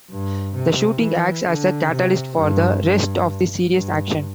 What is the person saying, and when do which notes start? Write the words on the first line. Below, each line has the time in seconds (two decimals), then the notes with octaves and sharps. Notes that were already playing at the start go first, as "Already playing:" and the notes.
The shooting acts as a catalyst for the rest of the series' action.
0.11 G2
0.55 C3
1.01 E3
1.47 D3
1.91 C3
2.37 G2
2.83 G2
3.73 G2